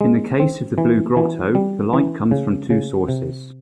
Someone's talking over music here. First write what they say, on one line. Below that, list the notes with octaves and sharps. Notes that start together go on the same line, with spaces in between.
In the case of the Blue Grotto, the light comes from two sources.
G#3
C4
E3
E3
G3
E3
C#3
C#3
C3